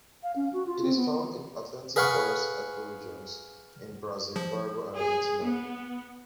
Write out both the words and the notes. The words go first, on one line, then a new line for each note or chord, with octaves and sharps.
It is found in Atlantic Forest ecoregions, in Brazil, Paraguay and Argentina.
F5
C#4
F#4
F4
C4
B3
G#4 B4 F5 F#5 C#6
F3
G#4
B3